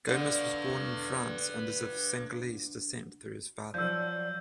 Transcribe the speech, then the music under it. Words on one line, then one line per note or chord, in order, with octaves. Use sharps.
Gomis was born in France and is of Senegalese descent through his father.
D3 B4 F5
F3 F#3 D5 E6 G6